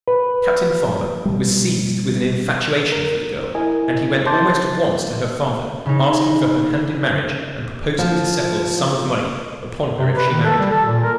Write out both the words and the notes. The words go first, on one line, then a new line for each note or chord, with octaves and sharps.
Captain Farmer was seized with an infatuation for the girl, and he went almost at once to her father, asking for her hand in marriage and proposing to settle a sum of money upon her if she married him.
B4
B2 G3
A#4
E4 A#4 D#5 G#5
A5 C6 D6 G6 A6
C#3 D#4
F3
C3
B4
D#3
A4
G3
A4
A#2
A#4